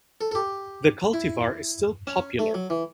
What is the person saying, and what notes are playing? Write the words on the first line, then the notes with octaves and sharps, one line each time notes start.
The cultivar is still popular.
A4
A4
G4
E4
C#4
A3
F#3
E3